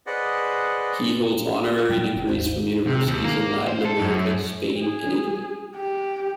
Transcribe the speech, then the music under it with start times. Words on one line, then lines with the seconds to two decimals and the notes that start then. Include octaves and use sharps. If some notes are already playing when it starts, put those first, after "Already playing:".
He holds honorary degrees from universities in Latin America, Spain, and Italy.
0.07 G#4 B4 C5 D5 D#5 F#5
1.89 A2 F#3 G3 G5
2.14 F1 D3
2.27 G#1 D#2 C5
2.87 C3
3.08 D#2
3.24 A#3
3.68 C5
3.85 A4
3.99 F#2
4.79 G#4
5.76 G4